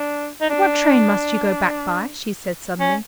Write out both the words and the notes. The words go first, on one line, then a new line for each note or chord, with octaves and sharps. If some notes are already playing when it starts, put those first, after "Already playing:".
"What train must you go back by?" she said suddenly.
Already playing: D4
D#4
D4
C#4